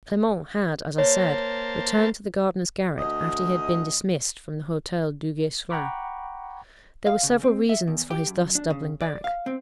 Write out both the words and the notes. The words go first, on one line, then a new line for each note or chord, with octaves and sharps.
Clement had, as I said, returned to the gardener's garret after he had been dismissed from the Hotel Duguesclin. There were several reasons for his thus doubling back.
A#3 C5 C#5 A5
D2 D#5
F#5 G5 A#5 B5 C#6 D6
F5
C#3
C4
E5
E2
G4
F#2
D4
C#3
D5
F5
C4